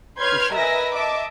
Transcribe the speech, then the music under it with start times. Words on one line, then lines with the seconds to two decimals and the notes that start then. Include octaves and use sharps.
For sure.
0.19 B4 C#5 C6 F6 G6 G#6
0.52 A#4 B4 D#5 E5 G#5 A#6
0.94 D#5 E5 A5 D6